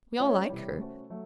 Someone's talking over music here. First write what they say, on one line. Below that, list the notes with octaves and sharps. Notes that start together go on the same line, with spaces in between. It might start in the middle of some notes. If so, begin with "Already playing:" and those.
We all like her.
A3 C#4 F4 C#5
C3 E3 G3
A3 C#4 F#4 A4 C5
F#3 A3